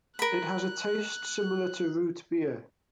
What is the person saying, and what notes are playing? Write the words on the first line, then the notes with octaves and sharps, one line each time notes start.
It has a taste similar to root beer.
A#4 B5 F#6